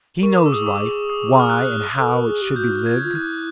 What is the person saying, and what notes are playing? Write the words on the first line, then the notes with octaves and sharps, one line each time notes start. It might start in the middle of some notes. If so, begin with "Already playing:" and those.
He knows life, why and how it should be lived.
A#4 C#6
D6
E6
G#4 D#6
C#6
D6
G#4 D6
D#6
F6
F#6
F6
A4
A#4
G#4
G4
F#4 G6
F4 G#6
F4
E4 F#6